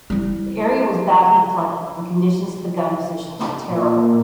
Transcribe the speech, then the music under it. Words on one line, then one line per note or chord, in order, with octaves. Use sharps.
The area was badly flooded and conditions at the gun positions were terrible.
G3 E4
A#2